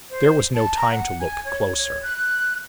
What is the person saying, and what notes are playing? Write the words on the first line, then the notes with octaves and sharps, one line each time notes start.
There was no time to look closer.
C5
A5
A#5
F#5
G#5
C#5
C#5
F#6